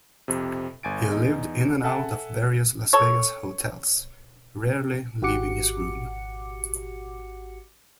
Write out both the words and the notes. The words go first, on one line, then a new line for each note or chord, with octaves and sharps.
He lived in and out of various Las Vegas hotels, rarely leaving his room.
F2 C3
G1 G#5 A6 D7
E2 D#4
A4 E5 F#5 G#5 A5
A4 C#5
G#1 F#4 G4 F#5 D6 C#7